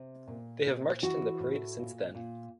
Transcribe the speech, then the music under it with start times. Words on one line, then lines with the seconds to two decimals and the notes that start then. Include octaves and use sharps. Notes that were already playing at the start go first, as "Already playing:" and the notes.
They have marched in the parade since then.
Already playing: C3
0.28 A#2
0.65 A#2
1.02 E3 F#4
1.40 A2
1.78 A#2
2.15 A#2